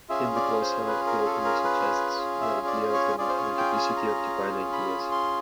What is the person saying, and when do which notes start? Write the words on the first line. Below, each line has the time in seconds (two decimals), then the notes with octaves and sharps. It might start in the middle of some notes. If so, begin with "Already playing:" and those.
In the "Glossa", he openly suggests the idea of the multiplicity of divine ideas.
0.09 C#4 F4 G#4 E5
0.36 D5
0.61 C5
0.87 B4
1.06 A#4
1.25 A4
1.45 A#4
1.64 B4
2.41 E5
2.66 D5
2.93 C#5
3.18 C#4 F4 G#4 D5
3.29 C5
3.37 C#5
3.58 G5
3.77 G#5
3.97 A#5
4.73 B5
5.12 C6